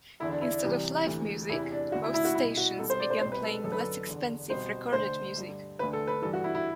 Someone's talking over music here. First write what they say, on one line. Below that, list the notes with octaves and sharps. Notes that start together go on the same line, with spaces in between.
Instead of live music, most stations began playing less expensive recorded music.
E2 D3 E4
D4
E4
D4
C2 C3 E3
D2 C3 E3
E2 C3 E3 E4
D4
D2 D3 F#4
E4
E4
F#4
C2 B2 E4
F#4
C2 B2 A4
C5
D5
C5
C2 B2 C5
B4
A4
F#2 D3 A4 B4
A4
E2 D3
C2 B2 C5
D2 D3 C5
G2 D3
D2 D3 B4
A4
B4
G2 E3 A4
F#4
E4
E4